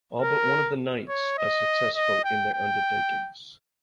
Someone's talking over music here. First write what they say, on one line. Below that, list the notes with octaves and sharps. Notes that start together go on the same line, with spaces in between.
All but one of the knights are successful in their undertakings.
A#4
C#5
D#5
D#5
G5
G5